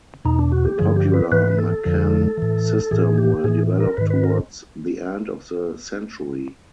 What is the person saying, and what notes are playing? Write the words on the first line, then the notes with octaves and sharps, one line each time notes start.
The popular Maccann system were developed towards the end of the century.
E2 B2 D#4
D4
F#4
G4
G2 D3 F3 G#4
G4
B4
G#2 E3 B4
A4
F2 D3 F3
A2 E3
A2 E3 G#4
G4
A2 E3 G#4
A#4
G#2 D#3 B4
B4
A#4